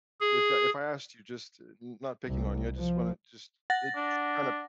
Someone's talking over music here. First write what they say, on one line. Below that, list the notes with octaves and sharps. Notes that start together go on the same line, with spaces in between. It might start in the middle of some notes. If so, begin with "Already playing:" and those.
if I if I asked you just n not picking on you, I just want to just it j kinda
G#4
C2
F3
F#5 A6 A#6
D4